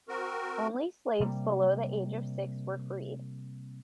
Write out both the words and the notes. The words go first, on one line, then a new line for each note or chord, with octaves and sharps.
Only slaves below the age of six were freed.
C4 F#4 A#4
C3 G3 A#3